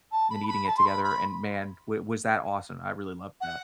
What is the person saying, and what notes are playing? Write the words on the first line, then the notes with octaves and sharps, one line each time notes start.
and eating it together, and, man, w was that awesome. I really loved that.
A5
B5
B5
A5
C6
B5
B5
F#5